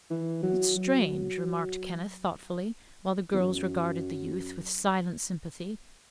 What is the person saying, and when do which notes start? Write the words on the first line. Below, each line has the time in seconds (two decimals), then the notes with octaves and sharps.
"It's strange," remarked Kenneth, thoughtfully, while the girls regarded the youth with silent sympathy.
0.10 E3
0.43 F#3
0.77 F#3
3.33 E2
3.39 F#2